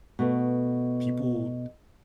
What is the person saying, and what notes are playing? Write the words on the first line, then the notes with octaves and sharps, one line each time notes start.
people t
B2 A3 B3